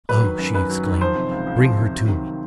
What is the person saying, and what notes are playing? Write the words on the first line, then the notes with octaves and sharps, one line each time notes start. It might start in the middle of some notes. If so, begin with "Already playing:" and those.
"Oh!" she exclaimed, "bring her to me!"
F#3 B4
D#3
F#2
F#2 B4
F#3
D#3
F3 C5
C3
C#2
C#2
F3
C3
F#3
D#3